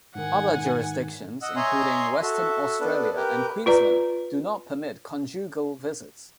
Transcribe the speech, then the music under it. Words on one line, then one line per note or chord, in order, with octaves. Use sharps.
Other jurisdictions, including Western Australia and Queensland, do not permit conjugal visits.
G#2 D#3 F#5 G#5
D#5 F#5 E6
C#5 D#5 E5 G#5 A#5 C6
F#4 A4 E5
B3 D4 A4 B4
G4 A#4 B4
F4 B4 D5 A#5